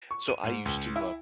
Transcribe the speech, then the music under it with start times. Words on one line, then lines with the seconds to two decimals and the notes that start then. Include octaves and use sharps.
So I used to, um
0.11 C#6
0.28 D#7
0.44 G#2
0.65 C#2
0.96 E4